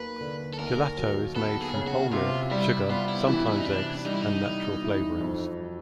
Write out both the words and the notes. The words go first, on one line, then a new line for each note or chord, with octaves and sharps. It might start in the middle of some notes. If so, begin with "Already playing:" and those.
Gelato is made from whole milk, sugar, sometimes eggs, and natural flavourings.
Already playing: D#2 F#3 A#3 B4
D3
A4
D#2 A#4
F#3
B3 A4
G#4
C#3
F#4
C3 F4
G3 E4
B3 F4
E4
E3 E4
E4
D#4
C3 D4
G3 D#4
E4
D#4
B3
E3
F2
F#3